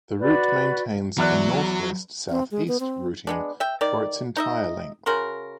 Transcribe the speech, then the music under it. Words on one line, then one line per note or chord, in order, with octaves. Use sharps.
The route maintains a northwest-southeast routing for its entire length.
F#4 B4 D5
E2 F#3 D5 F#6
C4
G#3
B3
C4
G#3 B3 D4
E5 G5
D#3 D5
D#4 D#5 E5
C#3 F#4 A#4 C6